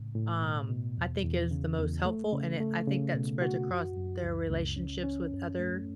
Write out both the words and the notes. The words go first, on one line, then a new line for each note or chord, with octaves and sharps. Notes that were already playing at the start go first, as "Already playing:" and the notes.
um, I think is the most helpful and it I think that spreads across their relationships with other,
Already playing: A2 C#3
A2
B2
B2
E2
E2
C#3
E2
A3
C#3
A3
C#3
B2
F#4
F#2
F#2
C#2
C#2
C#4
C#4
F#2
A3